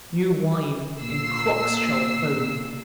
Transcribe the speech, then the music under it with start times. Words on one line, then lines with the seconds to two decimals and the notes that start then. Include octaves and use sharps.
New wine, in crocks Shall foam!
1.00 A#2 E6 C7